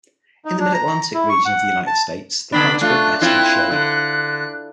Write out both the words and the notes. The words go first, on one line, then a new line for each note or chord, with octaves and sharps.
In the Mid-Atlantic region of the United States, the plants grow best in shade.
D#4
D4
A#5
E4
C#6
F#5
A5
D3 B3 D4 B5
A3 D4 F4 F#6
C4 E4 F4
D3